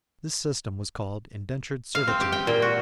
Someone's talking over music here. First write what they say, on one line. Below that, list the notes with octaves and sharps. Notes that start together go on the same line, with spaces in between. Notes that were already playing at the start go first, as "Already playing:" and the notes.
This system was called indentured servitude.
F5
C4
G4
G5
A#2
F#4